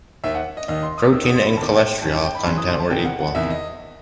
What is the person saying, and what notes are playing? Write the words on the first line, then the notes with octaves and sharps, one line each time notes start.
Protein and cholesterol content were equal.
D#2 D#3 E5
F#5
D#5
D#2 D#3 D#5
C6
D#6
D#2 D#3 E6
D#6
C6
B5
D#2 D#3 A5
G5
G5
F#2 E3 A5
G5
G5
B5
F#2 E3 C6
D#6
C6
A5
E2 C3 D#3 G5
F#5
F#5
E2 C3 D#3 E5
D#5